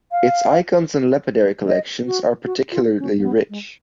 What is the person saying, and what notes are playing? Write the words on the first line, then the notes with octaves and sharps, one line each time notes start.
Its icons and lapidary collections are particularly rich.
F5
D#5
F#4
F#4
F4
C#4
A#3
B3
G#3